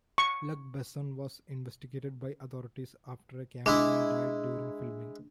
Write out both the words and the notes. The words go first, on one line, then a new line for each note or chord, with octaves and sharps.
Luc Besson was investigated by authorities after a cameraman died during filming.
C#6
G#3 D4 E4